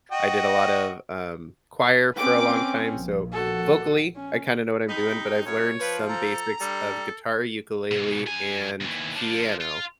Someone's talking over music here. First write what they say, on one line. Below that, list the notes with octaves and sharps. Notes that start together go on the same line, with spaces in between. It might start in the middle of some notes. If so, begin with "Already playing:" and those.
I did a lot of, um, choir for a long time, so, vocally, I kinda know what I'm doing, but I've learned some basics of guitar, ukulele, and piano.
F#4 D#5 G5
C4 C#4 B4 D6
A#1
F#4 A4
C#4
C3 D#4 B5
F#2 C#5
F3 B4
A4 A#5
G2 G3 A4
G#2 B2
F#2 G#5
D#2 E3
F3 D4
F4